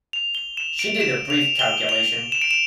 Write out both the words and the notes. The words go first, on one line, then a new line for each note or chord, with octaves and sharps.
She did a brief calculation.
F7
G7
E7
D7
E7
F7
G7
F7
E7
D7
E7